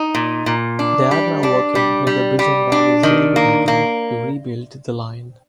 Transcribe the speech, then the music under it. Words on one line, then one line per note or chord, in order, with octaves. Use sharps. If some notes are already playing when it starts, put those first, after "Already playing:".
They are now working with the Bridgend Valleys Railway Company to rebuild the line.
Already playing: D#4
A#2
A#2
D4
G3
D4
G3
G3
G3
D4
D#3
A#3
A#3